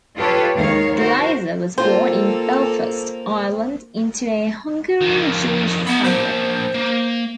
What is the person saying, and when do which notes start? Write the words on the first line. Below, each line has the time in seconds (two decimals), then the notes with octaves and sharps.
Glazer was born in Belfast, Ireland, into a Hungarian Jewish family.
0.17 F4 G4 A4 B4 C#5
0.56 D#2 D#3 G#3 C#5 F5
0.96 F#4 A#4 C5
1.78 A#3 C4 F4 A4 C5
5.01 F2 D#3
5.87 B3 D#4 B5
6.04 A#3 D4 C5
6.74 A#3